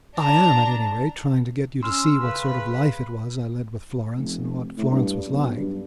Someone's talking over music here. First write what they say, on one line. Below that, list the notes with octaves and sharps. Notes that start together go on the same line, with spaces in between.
I am, at any rate, trying to get you to see what sort of life it was I led with Florence and what Florence was like.
D4 A#5
C#4 C6 E6 F6
C#3 B4
F1
A2
G2
B1
G2